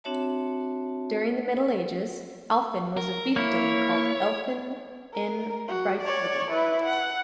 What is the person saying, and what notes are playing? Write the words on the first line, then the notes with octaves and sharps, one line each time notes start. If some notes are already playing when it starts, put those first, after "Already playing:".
During the Middle Ages, Alphen was a fiefdom called Alphen en Rietveld.
C4 D4 F#4 C#5 E5 A5
A#4
A#3 E4 C#5
A#4
F#4
C#5 D5
E4 B4
F#5